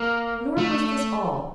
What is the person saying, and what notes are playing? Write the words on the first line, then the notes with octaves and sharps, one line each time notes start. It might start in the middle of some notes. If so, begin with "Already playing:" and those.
Nor was this all.
Already playing: A#3
A3